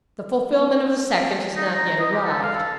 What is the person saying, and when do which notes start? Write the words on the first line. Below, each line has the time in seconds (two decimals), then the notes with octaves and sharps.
The fulfilment of the second has not yet arrived.
1.56 D#4
1.77 A#5
2.00 D#5
2.12 G4
2.25 A4
2.43 F5
2.55 A4